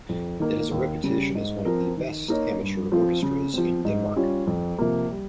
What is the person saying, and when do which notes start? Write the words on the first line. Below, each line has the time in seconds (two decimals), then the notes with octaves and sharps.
It has a reputation as one of the best amateur orchestras in Denmark.
0.09 F2
0.40 D#3 A#3
0.71 D#2
1.04 C#3 G3
1.35 G#2
1.65 F3 C4 F4 A#4
1.97 D#3
2.28 A#3 D#4 A#4 C#5
2.60 G2
2.92 F3 C4 F4
3.23 C#3
3.54 F3 C4
3.85 G#2
4.16 G3 C#4 F4
4.47 F2
4.78 C3 F3 A#3
5.10 G3